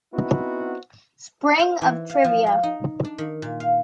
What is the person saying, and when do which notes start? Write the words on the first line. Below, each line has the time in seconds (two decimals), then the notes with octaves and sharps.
Spring of Trivia.
0.13 B3 C4 D#4 E4 F#4
1.59 C5
1.81 E3
2.10 F5
2.24 F3
2.47 F5
2.63 D#4
3.05 D4
3.18 D#3
3.42 A#2
3.60 F5